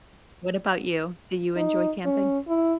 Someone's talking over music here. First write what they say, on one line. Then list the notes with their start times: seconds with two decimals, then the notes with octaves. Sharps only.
What about you? Do you enjoy camping?
1.56 D#4
2.05 C#4
2.48 E4